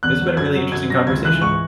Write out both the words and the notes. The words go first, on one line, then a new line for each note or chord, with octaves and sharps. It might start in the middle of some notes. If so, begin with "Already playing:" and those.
It's been a really interesting conversation.
E2 F#6
F#3
F#2 G#6
F#3
F#2 G#6
F#3 A#6
C#2 G#6
E3 F#6
G#2 C#6